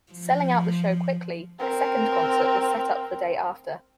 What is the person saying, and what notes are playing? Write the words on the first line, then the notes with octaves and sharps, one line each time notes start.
Selling out the show quickly, a second concert was set up the day after.
F3
C4 A#4